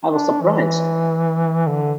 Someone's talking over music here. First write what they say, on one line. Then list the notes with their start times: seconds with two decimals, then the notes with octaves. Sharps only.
I was surprised.
0.10 D4
0.42 E3
1.68 D3